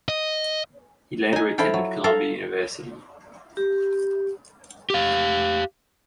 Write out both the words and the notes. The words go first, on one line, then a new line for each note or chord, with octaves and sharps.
He later attended Columbia University.
D#5
D#4 G#5
F3 E4 A4 F5 G5
F#3
A4 F5 A#5
G4
G4 F5